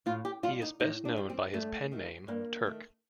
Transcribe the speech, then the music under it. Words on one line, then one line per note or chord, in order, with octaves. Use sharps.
He is best known by his pen name Turk.
A2 F4
G4
G3 F4
D#4
A2 D#4
D4
G3
C4
G2 A3
D#3 A3
G2 A#3
D#3 A3